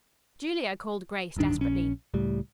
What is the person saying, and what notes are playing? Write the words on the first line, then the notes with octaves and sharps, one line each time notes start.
"Julia," called Grace desperately.
D1 G2 D#3 D4
A#1 C#4
C#2 A2 G3